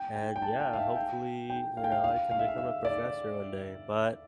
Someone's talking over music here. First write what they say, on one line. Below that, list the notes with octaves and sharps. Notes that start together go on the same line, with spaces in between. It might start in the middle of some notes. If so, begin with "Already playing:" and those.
and, yeah, hopefully, you know, I can become a professor one day, but,
Already playing: G5
G5
G5
A5
G5
F5
E5
G5
G5
F5
G5
F5
F5
F5
E5
F5
E5
D5